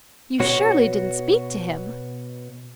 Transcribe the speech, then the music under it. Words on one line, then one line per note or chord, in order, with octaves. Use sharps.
"You surely didn't speak to him?"
B2 B3 F#4 C#5